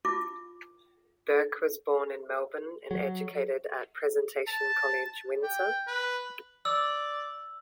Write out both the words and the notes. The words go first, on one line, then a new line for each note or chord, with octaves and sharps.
Burke was born in Melbourne and educated at Presentation College, Windsor.
E4 F4 D6
F#3
A5
G5
B4
D5 E6